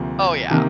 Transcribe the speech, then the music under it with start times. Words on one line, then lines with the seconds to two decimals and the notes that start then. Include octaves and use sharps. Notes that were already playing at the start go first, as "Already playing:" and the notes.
Oh, yeah.
Already playing: D2 C3 F3 A#3
0.50 C3 D#3 A#3